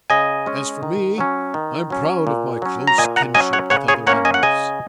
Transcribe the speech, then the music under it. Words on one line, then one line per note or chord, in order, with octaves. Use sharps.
As for me, I am proud of my close kinship with other animals.
C#3 D#5 G#5
G#3 C#4
D#3
F#3 C#4
D#3
F#3 C#4
A#2
F#3 C#4
A#5
A#2 D#5 G#5
F#5 A#5
F#3 C#4 D#5 G#5
C#5 F#5
C#3 C#5 F#5
G#4 C#5
A#3 C#4 C#5 F#5
D#5 G#5
F#5
C#3 D#5 G#5